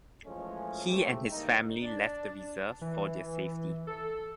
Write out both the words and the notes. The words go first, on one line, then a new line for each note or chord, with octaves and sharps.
He and his family left the reserve for their safety.
E3 F3 G#3 A3 C#4
G#3 A3 C4 E4 G4
G2 D#3 A#3 D#4
D4 D5
E3
A4